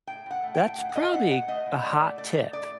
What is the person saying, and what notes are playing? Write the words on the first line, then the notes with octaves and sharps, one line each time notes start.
that's probably a hot tip.
A2 G5
A2 F#5
A3
G5
A2
A2 F#5
F#5
A2 D#5
A3 F#5
A2 F#5
A3 D#5
A2
A3 D5
A3
A3 D5
A3
A2 D5